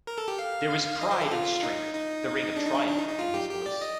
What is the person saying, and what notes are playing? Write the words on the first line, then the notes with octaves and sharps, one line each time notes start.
There was pride and strength, the ring of triumph in his voice.
A#4
A4
G4
F5
D#5
C5
A4
F4
D#4
D#4
D4
D#4
D4
D4
D#4
D#4
F4
G4
G4
D5
D#5